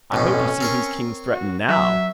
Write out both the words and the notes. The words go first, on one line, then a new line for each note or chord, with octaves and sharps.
"I hope you see whose king's threatened, now."
B1 F2 A2 C#4
C4 A#4 C#5
F#4
F#3 E5